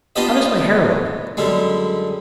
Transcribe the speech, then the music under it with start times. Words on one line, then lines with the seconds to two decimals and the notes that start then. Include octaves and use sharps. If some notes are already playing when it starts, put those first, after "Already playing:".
How does my hair look?
0.16 B3 D4 F4 G4 D#5
1.37 F#2 D3 G3 G#3